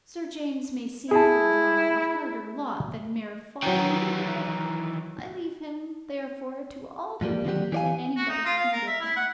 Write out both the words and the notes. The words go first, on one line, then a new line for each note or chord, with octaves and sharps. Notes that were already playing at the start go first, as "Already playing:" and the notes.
Sir James may seem to have drawn a harder lot than mere folly merited; I leave him, therefore, to all the pity that anybody can give him.
E4 G#4 A5
D#3 E3 F#3 G5
G#2 F3 G3 A#3
D3 D#3 F#3 D4 F#4 G4
E3 G4 D5 F5 G#5
F#4
D#4
F4
F5
A#4
E5
E4
F#5